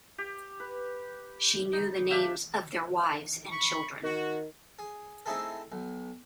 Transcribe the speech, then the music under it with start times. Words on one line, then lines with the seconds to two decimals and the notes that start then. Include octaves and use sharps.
She knew the names of their wives and children.
0.18 G4
0.60 B4
1.73 D#4
2.10 D4 G4 E5 F5
3.50 B5 C#6
4.03 D#3 F#4
4.79 G#4
5.26 A3 C4 D#4 E4 G#4 A4
5.72 B1